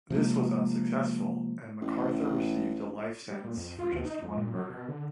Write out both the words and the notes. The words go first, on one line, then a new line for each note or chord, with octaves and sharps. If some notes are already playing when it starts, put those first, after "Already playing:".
This was unsuccessful and MacArthur received a life sentence for just one murder.
C3 F3 G#3 A#3
A1
G3
A#2
F2
F4
D#2
D#4
F2
A#2
F#3
B2
D3